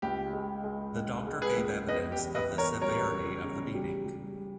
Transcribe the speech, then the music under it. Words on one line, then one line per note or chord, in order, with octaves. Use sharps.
The doctor gave evidence of the severity of the beating.
C#2 G4
G#3
G#3
C#2
G#3
G#4 B4
C#2
B3 B4 D#5
G4
E2
B4 D#5
E2
A#4 C#5
G3 A#4 C#5
C#3
C#3
G3
G3